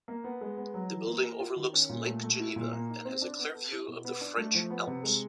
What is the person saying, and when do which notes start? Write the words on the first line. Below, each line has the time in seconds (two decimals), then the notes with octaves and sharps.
The building overlooks Lake Geneva and has a clear view of the French Alps.
0.08 A#3
0.24 B3
0.41 G#3
0.57 B3
0.74 F#3
0.90 E3
1.07 A#3
1.23 A#4
1.40 F4
1.56 D#3
1.73 C#4
1.89 A#2
2.07 A3
2.23 A3
2.39 E4
2.56 A#2
2.73 A#3
2.89 D#4
3.05 C4
3.22 D4
3.39 B3
3.55 A4
3.72 E4
3.88 B2
4.05 B3
4.21 D4
4.37 A3
4.54 F3
4.70 B3
4.87 C3
5.03 G#3